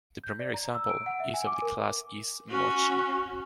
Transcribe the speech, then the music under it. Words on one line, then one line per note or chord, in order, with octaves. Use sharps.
The premier example is of the class is MoCl.
G6
D5
A#5
E6
D7
F#5
E5
G#5
D6
A#4
C#4 F#4